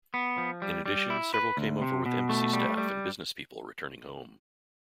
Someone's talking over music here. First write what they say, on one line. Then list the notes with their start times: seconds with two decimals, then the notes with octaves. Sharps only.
In addition, several came over with embassy staff and business people returning home.
0.14 B3
0.38 F3
0.62 G3
0.86 G3
1.10 E4
1.34 B4
1.57 D2
1.82 C3
2.06 B2
2.29 A3
2.53 G3
2.77 G3